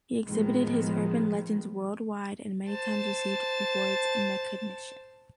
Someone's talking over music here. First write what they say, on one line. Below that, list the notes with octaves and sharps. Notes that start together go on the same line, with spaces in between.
He exhibited his urban legends worldwide and many times received awards and recognition.
A2 D#3 F3 G#3 B3
C5 A5